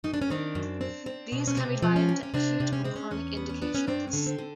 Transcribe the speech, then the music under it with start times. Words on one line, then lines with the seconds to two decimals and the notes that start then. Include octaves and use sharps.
These can be divided into acute or chronic indications.
0.04 F#2 D#4
0.14 D4
0.22 C#4
0.30 D#3 C4 D4
0.55 F#2
0.81 C4
1.06 C4
1.32 B2
1.47 C#4
1.57 C3 C4
1.82 F3
1.96 C#4
2.09 C3
2.23 C#4
2.34 C3 C4 D4
2.60 C3
2.73 C#4
2.84 G#3 C4
2.96 C#4
3.11 E2 C#4
3.37 B3
3.49 C#4
3.62 B3 D4
3.75 C#4
3.87 G2 C4 D4
4.07 C#4
4.13 D3
4.26 C4
4.39 D3